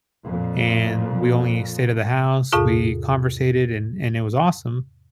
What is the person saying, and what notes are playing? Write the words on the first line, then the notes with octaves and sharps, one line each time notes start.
and we only stayed at the house. We conversated and and it was awesome,
F2 A#2
E2 G#2 C3 F4 G#4